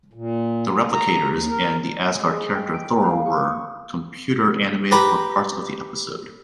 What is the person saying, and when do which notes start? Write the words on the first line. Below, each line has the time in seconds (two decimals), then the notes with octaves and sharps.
The Replicators and the Asgard character Thor were computer-animated for parts of the episode.
0.13 A#2
0.92 A#5
1.28 D#2
1.49 A#4
2.15 G#3
2.54 G5
2.74 D7
3.03 F5
3.26 C#6
4.91 G4 B4 A#5 B5